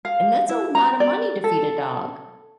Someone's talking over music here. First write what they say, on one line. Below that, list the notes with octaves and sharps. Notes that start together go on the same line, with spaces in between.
And that's a lotta money to feed a dog.
F5
E4
A#5
D5
A4